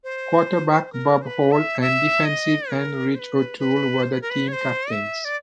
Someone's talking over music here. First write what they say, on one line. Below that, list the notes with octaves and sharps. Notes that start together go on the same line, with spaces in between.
Quarterback Bob Hall and defensive end Rich O’Toole were the team captains.
C5
A#4
C5
B4
E5
E5
D#5
A#4
C5
B4
B4
C5
B4
A#4
B4
C#5
C5
E5
D5